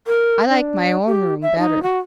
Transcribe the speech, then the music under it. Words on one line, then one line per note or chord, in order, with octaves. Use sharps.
I like my own room better.
A#4
D4
G4
E5
D#4
F#4